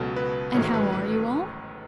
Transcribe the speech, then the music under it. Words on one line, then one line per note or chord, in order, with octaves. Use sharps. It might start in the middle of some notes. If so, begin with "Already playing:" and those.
'And how are you all?
Already playing: C#2 B2 F#3 B3 A4
B4
A1 G#2 D#3 F#3 A3 C#5
B4
B4
A4